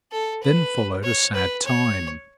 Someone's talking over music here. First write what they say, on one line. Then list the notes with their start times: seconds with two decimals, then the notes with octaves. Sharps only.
Then followed a sad time.
0.12 A4
0.43 B4
1.04 C#5
1.34 B4
1.65 C#5